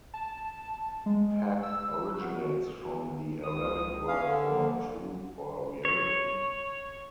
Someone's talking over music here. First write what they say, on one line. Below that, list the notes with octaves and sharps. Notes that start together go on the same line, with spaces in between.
Haqq originates from the Arabic word for truth or reality.
A5
G#3
E6
F#4
C#2 D#6
C#4 F5
D3
F3 G3 A#3
C#5